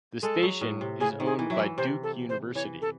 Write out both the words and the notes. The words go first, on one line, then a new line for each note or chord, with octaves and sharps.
The station is owned by Duke University.
G#3 A4
F#3
A2
C3
C#3 G#4
D#3
G#4
E3
F#3 E5
E3
C3 C5
A4
C5
E3 C#5
A4